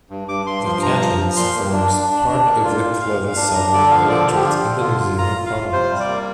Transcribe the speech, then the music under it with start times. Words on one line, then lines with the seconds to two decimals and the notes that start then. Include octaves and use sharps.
The Catlins forms part of the Clutha-Southland electorate in the New Zealand Parliament.
0.10 G2
0.28 G2 D6
0.46 G2 C6
0.65 F3 C6
0.83 G2 A#5
1.00 F3
1.19 F3
1.37 A#2 C6
1.56 A#3
1.73 D4
1.92 D4
2.10 D4
2.28 D4
2.46 A#3
2.64 F4
2.82 A#2
3.01 A#2 F5
3.19 A#2
3.28 F5
3.37 D4
3.54 D4 A#5
3.73 D3 D5
3.91 F3 F5
4.09 D3 D5
4.27 F3
4.36 G4
4.45 F4
4.64 D3
4.81 F4
5.00 F4
5.18 F4 A#5
5.36 F4
5.46 F5
5.54 F4
5.72 C3 C5
5.91 G3
6.00 D5
6.08 A#3